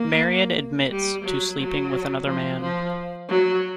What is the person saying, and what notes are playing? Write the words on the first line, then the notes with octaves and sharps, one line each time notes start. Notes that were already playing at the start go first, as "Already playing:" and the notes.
Marian admits to sleeping with another man.
Already playing: A#3
G3
F#3
F#3
F3
F3
F#3